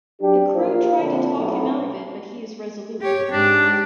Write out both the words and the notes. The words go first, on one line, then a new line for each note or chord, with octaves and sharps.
The crew try to talk him out of it but he is resolute.
F#3 D4 G4
A#1 F4 A#4 C5 F5
A#1 A2 D3 C4
B1 A2
G4 C#5
G#2 D4 G4